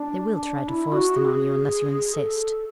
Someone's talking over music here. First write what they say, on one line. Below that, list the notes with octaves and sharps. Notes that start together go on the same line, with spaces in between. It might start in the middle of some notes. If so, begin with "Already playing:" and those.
They will try to force them on you unless you insist.
Already playing: D4
E4
F#4
G#4
A4